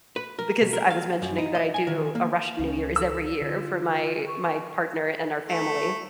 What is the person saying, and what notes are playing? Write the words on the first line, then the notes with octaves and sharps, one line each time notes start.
because I was mentioning that I do a Russian New Year, is every year for my my partner and our family,
B4
A#4
B2
A#4
F5
F#2
D#4
D#5
G#5
D#3
A#3
C#2 C#4
A4 E6
D3 F4
C#6
A3